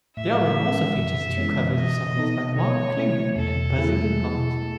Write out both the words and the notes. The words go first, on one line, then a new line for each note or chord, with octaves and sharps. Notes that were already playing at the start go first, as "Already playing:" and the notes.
The album also features two covers of songs by Mark Klingman and Buzzy Linhart.
A2 E5
E3 G#3 C#4
F#2
E3 G#3 C#4
E3 D#5
B3 D#4 A4
B2 C#5
A3 E4
E2 A4
B2 A3 E4 G#4